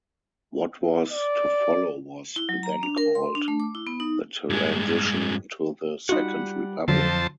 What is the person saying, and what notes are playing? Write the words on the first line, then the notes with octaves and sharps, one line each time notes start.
What was to follow was then called the transition to the "Second Republic".
D5
E4
F#3
A#5
D4
A#4
C6
D4
A3
D6
E4
B3
D#4
G2 G#3
G3 D#4 F4 F#4 F#5
F2 D3 F3 F#3 C5 A5